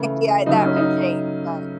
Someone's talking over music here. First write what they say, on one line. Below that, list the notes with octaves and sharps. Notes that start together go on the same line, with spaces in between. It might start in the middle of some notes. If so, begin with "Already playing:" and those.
yeah, that would change, but
Already playing: C#3 E3 A3
C#3 F#3 A3 D#4
C#4
D#4